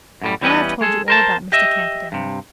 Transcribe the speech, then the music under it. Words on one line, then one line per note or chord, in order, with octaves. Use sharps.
"Now I have told you all about Mr. Camperdown."
F#2 A2 G3
E2 E3 G3 C#4 B4 D#5
G#3 G#4 A4
A#4 C5 A5
G4 D#5 E5
G2 C3